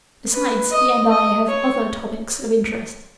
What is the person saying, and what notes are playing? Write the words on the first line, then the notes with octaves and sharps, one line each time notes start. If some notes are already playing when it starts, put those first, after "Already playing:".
Besides, he and I have other topics of interest.
B4
D#5
D#5
C#5